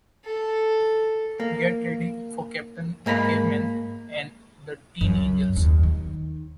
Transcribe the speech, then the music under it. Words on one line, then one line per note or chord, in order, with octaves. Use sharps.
Get ready for Captain Caveman and the Teen Angels!
A4
A#3
G#2 A#3 A#5 B5
C#2 F#2
D#2
D#3